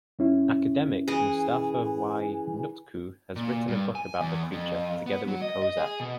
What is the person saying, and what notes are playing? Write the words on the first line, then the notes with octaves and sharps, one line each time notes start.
Academic Mustafa Y. Nutku has written a book about the creature, together with Kozak.
F#2 C#4 E4
E3 G#4
A#2
G2
G#5
E2
F2
B3
F#3
D#5
D#5
G#4
B2